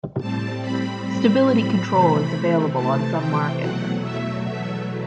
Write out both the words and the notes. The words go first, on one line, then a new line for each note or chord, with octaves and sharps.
Stability control is available on some markets.
A2 G3 C4 A5
B5
B5
B5
C3 E3 A3 C4
A5
G5
E2 B2 F#3 A3 F#5
E5
E5